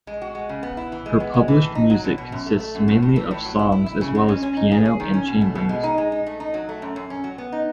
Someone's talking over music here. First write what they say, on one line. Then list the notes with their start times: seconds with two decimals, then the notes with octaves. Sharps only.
Her published music consists mainly of songs as well as piano and chamber music.
0.07 G#3
0.22 F#4
0.35 G#3
0.49 C#3
0.63 B3
0.77 E4
0.92 E3
1.06 G#3
1.20 B3
1.34 G#3
1.48 E3
1.62 A2
1.75 D#4
1.90 F#3
2.04 B2
2.18 B2
2.32 F#2
2.46 A3
2.60 A3
2.75 F#2
2.88 A2
3.02 A2
3.16 E3
3.31 A2
3.45 F#3
3.59 E4
3.72 E4
3.86 E4
4.01 C#3
4.15 G#3
4.28 C#4
4.43 C#4
4.57 D#4
4.71 G#4
4.85 G#4
5.00 D#3
5.14 C#4
5.27 B2
5.41 A3
5.55 B2
5.69 G#3
5.83 D#4
5.98 G#3
6.12 D#4
6.26 A3
6.40 D#4
6.54 F#3
6.69 A3
6.82 F#2
6.96 F#2
7.10 C#4
7.24 F#3
7.38 B3
7.52 D#4